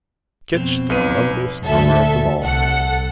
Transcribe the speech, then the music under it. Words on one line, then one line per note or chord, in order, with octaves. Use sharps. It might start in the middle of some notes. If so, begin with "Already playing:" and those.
Kinch, the loveliest mummer of them all!
F2 B2 C4
B1 B4 D#7
D2 A4 E5
C2 A4 F#5